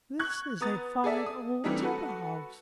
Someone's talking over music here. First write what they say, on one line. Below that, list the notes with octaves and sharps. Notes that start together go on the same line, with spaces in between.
This is a fine old timber-house.
C#6 F#6 G#6
B3 A#5 D#6 A6
G#4 A4 D5 E5
D#6
E3 G3 A3 C4 D4 D#4
F#4 A4 B4 F#5